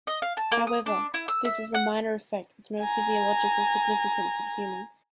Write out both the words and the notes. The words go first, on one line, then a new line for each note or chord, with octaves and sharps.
However, this is a minor effect with no physiological significance in humans.
D#5
F5
A5
A#3
D#6
D4
E4
E6
E5
F#5
G#5 A#5